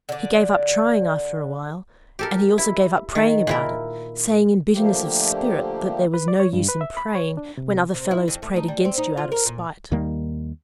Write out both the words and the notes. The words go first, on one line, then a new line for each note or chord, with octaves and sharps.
He gave up trying after awhile; and he also gave up praying about it, saying in bitterness of spirit that there was no use in praying when other fellows prayed against you out of spite.
D3 D5
G4 A4 A#4
E4
D#3
A#2 E4 A#4
D3 F3 A3 A#3 G4
B4
D5
C#5
G2
B4
E5
B5
C#5
D4
C3
C3
E4
F2
A3
D#4
G3
C4
D#4
F4
A#4
A#2
D#2 D#3 G3 A#3